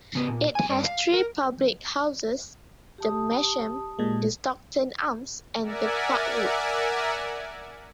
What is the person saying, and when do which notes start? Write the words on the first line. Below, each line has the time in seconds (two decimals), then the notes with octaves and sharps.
It has three public houses "The Masham", "The Stockton Arms" and the "Parkwood".
0.15 C#3 B3
0.28 A#2
0.55 G#5
0.69 G2 D5
0.84 F5
1.14 A#4
2.98 G4 A5 D#6
3.99 A#2 G#3
5.61 A#4 D5 E5 F#5 G#5